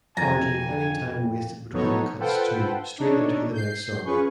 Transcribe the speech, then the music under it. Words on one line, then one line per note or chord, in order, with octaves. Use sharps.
Hardly any time wasted between cuts too, straight into the next song.
F2 G#5 A#5 A6
F3 F#3 B3 D#4 A4 C#5
F4 A4 B4 C5 F#5 G5
D4 D#4 A4 C#5
G6 C7
C#4 F4 G#4 B4 C#6